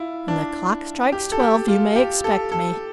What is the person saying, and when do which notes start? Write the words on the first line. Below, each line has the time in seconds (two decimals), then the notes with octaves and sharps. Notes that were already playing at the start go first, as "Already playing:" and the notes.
"When the clock strikes twelve you may expect me."
Already playing: E4 F4
0.28 D4
1.12 G4
1.32 A4
1.40 G4
1.68 F4
1.96 G4
2.24 A4
2.52 A4